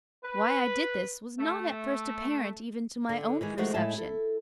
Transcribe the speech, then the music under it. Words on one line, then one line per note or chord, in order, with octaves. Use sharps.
Why I did this was not at first apparent even to my own perception.
B4
A3
D3
D#3 E3 G#3
D#3 F3 G#3 A3 F4 F#4
A2 G#3 E5 A5
E4 A4